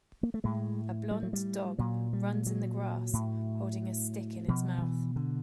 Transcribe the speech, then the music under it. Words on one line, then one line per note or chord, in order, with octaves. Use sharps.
A blond dog runs in the grass holding a stick in its mouth.
A#3
A3
A2 G#3
G3
F#3
G3
A#2 F#3
G3
F#3
A2
B2 F3
D#3
E3
D3